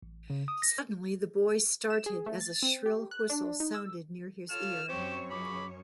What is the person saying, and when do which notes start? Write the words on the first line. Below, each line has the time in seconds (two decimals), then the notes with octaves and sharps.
Suddenly the boy started as a shrill whistle sounded near his ear.
0.03 A1
0.30 C#3
0.48 D#6
0.62 A#6
1.90 E7
2.06 G#4
2.26 A3
2.41 A6
2.63 C4
2.86 G4
3.11 F#6
3.30 D4
3.60 D#4
3.75 E6
4.50 F4 A4 C#5 F6 E7
4.89 F#2 C4 G4 C#5 C#6
5.31 C#2 G#4 B5 C#6 D6